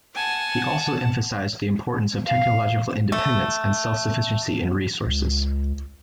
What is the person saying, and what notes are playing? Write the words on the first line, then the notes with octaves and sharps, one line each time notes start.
He also emphasized the importance of technological independence and self-sufficiency in resources.
F#5 G#5 A5
F5
A3
C#2